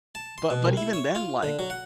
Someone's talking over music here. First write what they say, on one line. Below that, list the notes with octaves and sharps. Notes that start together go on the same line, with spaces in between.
but but even then, like
A5
C6
B2
C2
E4
C#5
F4
D3
F#3
F#5